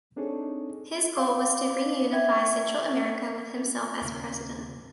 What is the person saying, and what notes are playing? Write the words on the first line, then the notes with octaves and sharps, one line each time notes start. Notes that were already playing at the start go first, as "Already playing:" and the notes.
His goal was to reunify Central America with himself as President.
C4 D4 D#4 G#4 A4 C#5
F5 D6
E5 G5 G#6
D#2 C#3 A#3